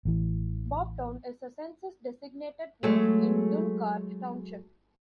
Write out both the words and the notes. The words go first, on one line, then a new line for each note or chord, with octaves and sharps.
Bobtown is a census-designated place in Dunkard Township.
A1 E3
F#3 G#3 A3